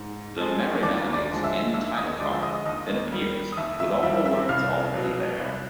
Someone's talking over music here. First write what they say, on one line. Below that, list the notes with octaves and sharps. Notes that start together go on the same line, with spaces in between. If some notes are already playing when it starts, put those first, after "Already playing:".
The "Merrie Melodies" end title card then appears with all the words already there.
Already playing: G#2
F3 G#3
D#2 D5 D6
D5 D6
D3 F3 G#3
E5 E6
D#2 E5 E6
D#5 D#6
D3 F3 G#3 D5 D6
E6
D#5 D#6
D#2 D#5 D#6
D#3 G3
D#6
D#2 E5 E6
E5 E6
D#3 G3 E5 E6
E5 E6
C2 F5 F6
B2 F#3
C2